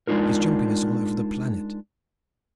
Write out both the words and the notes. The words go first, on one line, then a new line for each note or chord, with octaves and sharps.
He's jumping us all over the planet.
G#3 D4 D#4 F4 A#4